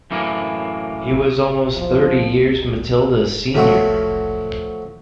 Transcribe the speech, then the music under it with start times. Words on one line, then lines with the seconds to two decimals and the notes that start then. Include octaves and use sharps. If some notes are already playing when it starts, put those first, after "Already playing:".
He was almost thirty years Matilda's senior.
0.11 F#2 A2 E3 A#3
1.77 F3
3.55 F3 F#3 A3 F#4